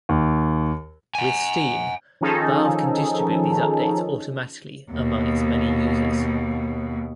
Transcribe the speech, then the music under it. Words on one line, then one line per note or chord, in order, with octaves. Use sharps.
With Steam, Valve can distribute these updates automatically among its many users.
D#2
F#5 G#5
D#3 F3 C#4 D#4 G#4 A4
D#2 B2